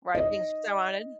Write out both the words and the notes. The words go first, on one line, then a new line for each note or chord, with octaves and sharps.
Right, being so on.
D#5